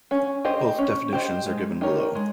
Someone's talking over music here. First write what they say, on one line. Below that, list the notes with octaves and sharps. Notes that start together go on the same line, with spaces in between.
Both definitions are given below.
C#4
G4 C5 D#5
C#4
G4 C5 D#5
G#3
D#4 G4 A#4 C#5
G#3